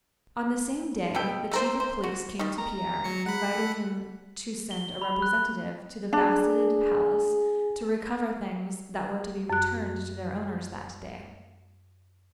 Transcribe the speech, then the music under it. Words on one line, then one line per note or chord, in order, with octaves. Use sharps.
On the same day the Chief of Police came to Pierre, inviting him to send a representative to the Faceted Palace to recover things that were to be returned to their owners that day.
B2 A4 B4 G5
A3 A#4 C5
C5
F#4
D#3 G3
A#5
F#3 C#7
F#5 B5
A3
A4
G7
B5
F#6
D4 G#4
F#2 F#6